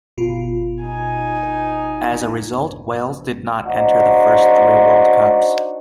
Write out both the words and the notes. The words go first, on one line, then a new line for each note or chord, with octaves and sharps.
As a result, Wales did not enter the first three World Cups.
G1 B2 F4
D#4 G#5
D4 D#4 F#4 C5